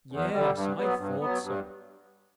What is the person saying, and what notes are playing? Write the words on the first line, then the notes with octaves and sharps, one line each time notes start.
Yes, I thought so.
E2
D3 G3
G2
F#3 B3
G2
F#3 B3
G2